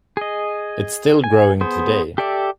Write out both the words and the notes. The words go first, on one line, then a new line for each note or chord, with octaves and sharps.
It is still growing today.
G#4 D#5
G#5
B3 G#4 C5
G4 A4 D5 E5